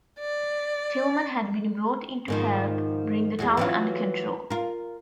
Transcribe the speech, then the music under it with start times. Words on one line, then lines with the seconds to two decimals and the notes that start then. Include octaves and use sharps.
Tilghman had been brought in to help bring the town under control.
0.19 D5
2.28 G#2 D#3 F3
3.39 E2 F#3 G#3
3.57 E3 F#3 F4
4.50 F4 A#4